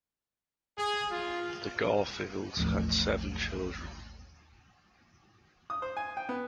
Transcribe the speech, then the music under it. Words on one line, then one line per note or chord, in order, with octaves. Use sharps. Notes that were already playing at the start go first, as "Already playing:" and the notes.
The Garfields had seven children.
G#4
F4
A1 D#2 F3 A3
D#6
C5
G#5
G5
B3